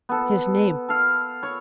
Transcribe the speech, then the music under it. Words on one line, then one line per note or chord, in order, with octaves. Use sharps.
His name?
B3 A4
A4 F5
C#5